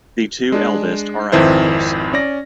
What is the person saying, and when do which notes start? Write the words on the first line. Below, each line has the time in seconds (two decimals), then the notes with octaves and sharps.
The two eldest are actors.
0.52 G#3 D4
1.32 G#1 F2 D#3 E4 B4 C5
2.13 C#4 D5 A#6